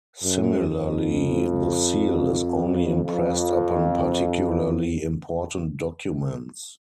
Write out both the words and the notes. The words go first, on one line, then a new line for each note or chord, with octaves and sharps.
Similarly, the seal is only impressed upon particularly important documents.
F#2
F2
F2